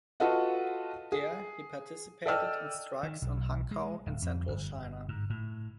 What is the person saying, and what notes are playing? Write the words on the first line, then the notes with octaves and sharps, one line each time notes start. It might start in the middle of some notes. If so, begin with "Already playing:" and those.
There he participated in strikes on Hankou in Central China.
F4 F#4 A4 B4 D#5 F#5
G#4
A4 D5 D#5 G5 E6 F6
D#3
B1
G#3
D1
F2
G1
G#2
A2